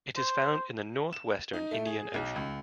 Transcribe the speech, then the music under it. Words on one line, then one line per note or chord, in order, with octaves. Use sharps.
It is found in the north western Indian Ocean.
C5
E7
D#4
A3
G#4
B1
C#2